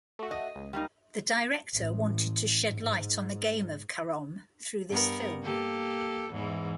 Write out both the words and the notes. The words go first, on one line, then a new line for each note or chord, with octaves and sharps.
The director wanted to shed light on the game of carrom through this film.
A3 F#4
D#5
C#2
G3 A#3 D#4
A1
G#2
G2 B3 A#4
A#3 G4 A4
E2 G#2 E3